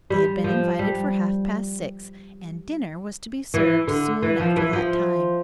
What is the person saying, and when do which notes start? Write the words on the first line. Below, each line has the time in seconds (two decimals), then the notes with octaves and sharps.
They had been invited for half-past six, and dinner was to be served soon after that time.
0.10 G3
0.44 F3
0.79 G3
3.54 E3
3.88 D3
4.22 E3
4.40 F3
4.57 E3
4.73 F3